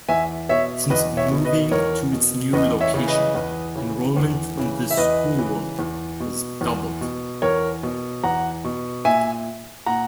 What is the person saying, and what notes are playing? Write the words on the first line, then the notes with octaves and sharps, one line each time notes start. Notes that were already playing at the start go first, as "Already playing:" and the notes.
Since moving to its new location, enrolment in the school has doubled.
E2 E5 G#5
B2 C#5 E5
E2 B4 D#5
C#5 E5
B2
B4 D#5
E2 A#4 C#5
B2
E2 B4 D#5
C#5 E5
C#3 E3
B4 D#5
E2
C#3 E3
E2
C#3 E3
E5
E2 B4 D#5
C#3 E3
E2
B2
E2
B2
E2 A#4 C#5
B2
E2 F#5 A#5
B2
A#2 E5 G#5
A#2 F#5 A#5